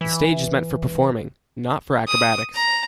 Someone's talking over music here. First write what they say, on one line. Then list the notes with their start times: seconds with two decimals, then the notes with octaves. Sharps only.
The stage is meant for performing not for acrobatics.
0.01 E3
2.08 D#6
2.55 A#5